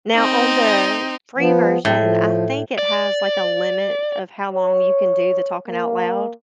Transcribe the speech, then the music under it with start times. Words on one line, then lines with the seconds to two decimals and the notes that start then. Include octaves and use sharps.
Now on the free version, I think it has, like, a limit of how long you can do the talking out loud,
0.14 C4 D#4
1.38 F3 B3
1.85 A2 F#3 C4
2.01 F3
2.78 D5
4.54 C#5
5.68 A#3